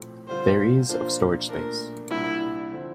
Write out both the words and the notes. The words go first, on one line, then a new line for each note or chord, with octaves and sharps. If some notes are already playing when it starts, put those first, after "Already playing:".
There is of storage space.
Already playing: A2 F3 A3 C4
D3 G3 C4 F4 C5
F3 A#3 D4 F4 C5
A#2 A3 D4 A#4
C2 A#2 G3 D4 E4
D3 F3 C4